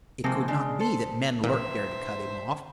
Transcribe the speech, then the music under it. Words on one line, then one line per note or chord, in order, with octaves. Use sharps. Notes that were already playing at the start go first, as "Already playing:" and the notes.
It could not be that men lurked there to cut him off.
C3 D#3 F3 G#3 A#3 C4
C#3 G#3 D4
A4 C5
A#1 A#2 E3 C5 E5